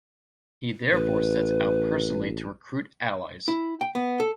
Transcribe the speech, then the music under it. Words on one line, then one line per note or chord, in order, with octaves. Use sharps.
He therefore sets out personally to recruit allies.
A1 B4
E4
G5
B3
A4